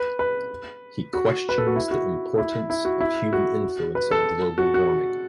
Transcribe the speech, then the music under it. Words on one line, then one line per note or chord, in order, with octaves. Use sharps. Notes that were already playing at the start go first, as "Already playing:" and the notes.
He questions the importance of human influence on global warming.
Already playing: B4
B4
F#4
B4
A4
F#4
E4
F#4
E4
E4
F#4
E4
F#4
B4
A4
F#4
F#4